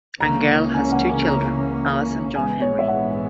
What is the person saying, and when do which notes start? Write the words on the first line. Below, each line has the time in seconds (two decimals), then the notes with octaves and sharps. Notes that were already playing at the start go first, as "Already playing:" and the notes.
Angell has two children, Alice and John Henry.
0.20 C#2 C#3 E3 A#3 C#4 A#5
0.74 G#5
0.92 F#5
1.09 G#5
1.28 A#5
2.34 A#1 G#2 E3 G#3 B3 G#5
2.62 C#5
2.79 E5
2.88 F#5